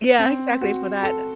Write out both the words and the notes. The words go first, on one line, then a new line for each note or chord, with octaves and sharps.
Yeah, exactly for that.
C4
F#4
A4